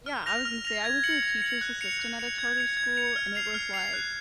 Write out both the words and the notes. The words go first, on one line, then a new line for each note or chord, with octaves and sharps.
Yeah, I was gonna say I was a teacher's assistant at a charter school and it was like
F6
A#6 F7
F6
A#6 F7
G#6
C#7 F#7
G#6
C#7 F#7
F#6
C#7 F7
F#6
C#7 F7
G#6
C#7 F7
G#6
C#7 F7
F6
C7 F7
F6
C7 F7
F#6